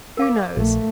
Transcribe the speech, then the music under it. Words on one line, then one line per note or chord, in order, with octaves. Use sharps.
Who knows?
A#4 F5 D6
A#1 A3